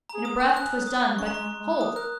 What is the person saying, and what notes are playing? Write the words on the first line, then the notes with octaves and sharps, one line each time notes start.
In a breath 'twas done but--hold!
A#5
G#4
D#6
A#3
F#6
C#4 F#6
D#6
C#4 C#6
A#5
G#3 C#6
G#3
A#3 D#6
A#4 F#6